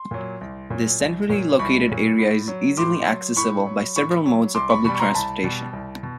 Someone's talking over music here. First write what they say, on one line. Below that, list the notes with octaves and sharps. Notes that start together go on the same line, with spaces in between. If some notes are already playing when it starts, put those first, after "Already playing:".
This centrally located area is easily accessible by several modes of public transportation.
Already playing: C6
A#2 F#3
C2
A#2 F#3
C2
A#2 F#3
C2 B5 C#6
A#2 F#3
A2
F#3
A2 C6 D6
F#3
A2 B5 C#6
F#3
A2 B5 C#6
F#3
C2 C6 D6
B5 C#6
B2 G3 B5 C#6
C#6
A#5 C6
C2 A5 B5
B2 G3
C2
B2